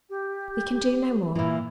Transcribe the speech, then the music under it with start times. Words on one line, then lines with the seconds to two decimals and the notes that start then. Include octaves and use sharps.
"We can do no more."
0.10 G4
1.35 A#2 E3 E4